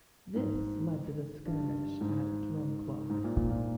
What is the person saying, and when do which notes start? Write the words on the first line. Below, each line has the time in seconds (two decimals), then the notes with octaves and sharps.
This led to the skirmish at Drumclog.
0.36 G#2
1.45 G2
2.01 G#2
3.10 G#2
3.24 A#2
3.37 A#2
3.50 A#2